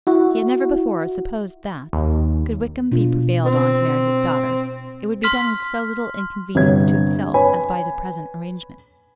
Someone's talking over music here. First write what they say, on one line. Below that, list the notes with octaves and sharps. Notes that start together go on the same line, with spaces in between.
He had never before supposed that, could Wickham be prevailed on to marry his daughter, it would be done with so little inconvenience to himself as by the present arrangement.
E4 F#4
D#2
B2 D4 F4
C4
C6 F6 B6
G1 C3 C#5 G#6
B4 C#5 G#5 B5